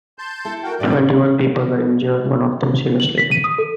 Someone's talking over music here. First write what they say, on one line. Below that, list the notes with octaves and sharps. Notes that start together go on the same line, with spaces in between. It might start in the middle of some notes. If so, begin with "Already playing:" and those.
Twenty-one people were injured, one of them seriously.
A5 C6 G6
E4 A4
F#4 A#4 G5
A2 G4 D5
F#7
B6
D#7
D#6
A4